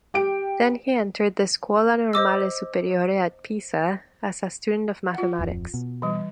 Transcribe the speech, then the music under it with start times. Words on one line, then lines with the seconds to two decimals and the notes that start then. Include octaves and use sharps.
Then he entered the Scuola Normale Superiore at Pisa as a student of mathematics.
0.14 G4 G5 D7
2.13 C5 D#5 D6 E6
5.14 F4 F#5
5.39 D1 F2
5.74 B2
6.02 E3 G3